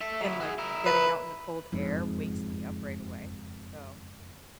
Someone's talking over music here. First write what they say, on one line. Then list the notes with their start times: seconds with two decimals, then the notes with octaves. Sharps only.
And, like, getting out in the cold air wakes me up right away. So
0.01 A4 E5
0.21 F#3 E4
0.40 F#4 G#4
0.58 E4 A#4
0.86 B4
1.72 F#1 F2 G#2